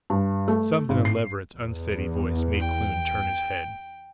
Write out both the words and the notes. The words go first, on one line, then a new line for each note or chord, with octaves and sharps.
Something in Leverett's unsteady voice made Kloon turn his head.
G2
A3
G#1
C7
E2
G5